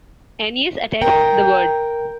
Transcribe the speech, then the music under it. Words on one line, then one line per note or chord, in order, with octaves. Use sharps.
Ennius attests the word.
A#4 G5